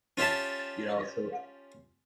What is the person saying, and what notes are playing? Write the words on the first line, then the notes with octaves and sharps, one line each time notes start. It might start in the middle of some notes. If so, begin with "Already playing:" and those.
you know? So
C#4 F4 G4 E5 A5